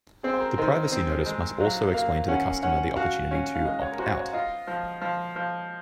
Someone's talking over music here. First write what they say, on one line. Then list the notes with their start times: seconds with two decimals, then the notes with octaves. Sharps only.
The privacy notice must also explain to the customer the opportunity to 'opt out'.
0.23 C4 G#4
0.34 C5
0.41 A#4
0.58 D#3 C5
0.75 D#5
0.92 C4
1.26 G#3
1.60 F#3 F5
1.94 A#3 F5
2.28 C#4 F#5
2.63 C#4 F#5
2.96 F#4 F5
3.31 C#4
3.55 F5
3.64 G#3 D#5
3.82 C#5
3.92 A#4
3.99 F#4 C5
4.16 C#5
4.33 F4 D#5
4.67 F3
5.01 F3
5.36 F3